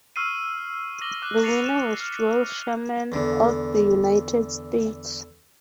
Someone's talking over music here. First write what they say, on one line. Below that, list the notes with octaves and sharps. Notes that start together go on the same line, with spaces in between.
The winner was Joel Sherman of the United States.
C#6 E6 F6 C7 D#7
D6 A#6 F#7 G7
D6 E6 F#6
A6 C7 C#7 D#7 F7
E7
F6 C7
E2 D3